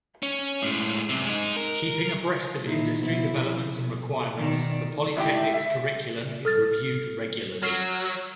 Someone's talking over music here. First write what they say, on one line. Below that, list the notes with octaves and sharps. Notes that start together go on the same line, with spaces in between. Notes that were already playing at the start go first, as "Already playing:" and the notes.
Keeping abreast of industry developments and requirements, the polytechnic's curriculum is reviewed regularly.
C#4
A2 G#3
F#2 C3
G#3 D#4
A#4
A#2 D#4 E4
B2 F3 E4
B2
B2 D#3 D5
A2 G#3 E4 F4 G4 G5
E5
A4 F6 A6
F#3 F6 C7